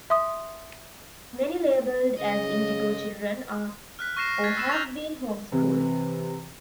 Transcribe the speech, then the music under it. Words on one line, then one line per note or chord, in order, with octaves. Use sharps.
Many labeled as indigo children are or have been home schooled.
E5 C6 D#6
C#3 D#5
F6 F#6 B6
C#6 F6 A#6 C7 E7
A#6
G#6 A6 B6 C7
E6 E7
F6 G6 F7
C3 E3